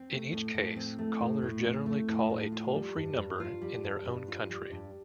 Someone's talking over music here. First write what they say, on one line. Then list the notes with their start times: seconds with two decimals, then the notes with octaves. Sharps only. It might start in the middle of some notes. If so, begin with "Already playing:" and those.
In each case, callers generally call a toll-free number in their own country.
Already playing: C4
0.11 A3
0.32 A2
0.54 A2
0.76 C4
0.99 A3
1.20 A2
1.42 A2
1.64 C4
1.86 A3
2.08 A2
2.30 A2
2.52 F4
2.74 G3
2.96 G2
3.18 G2
3.40 F4
3.62 G3
3.83 G2
4.05 G2
4.28 F4
4.50 G3
4.71 G2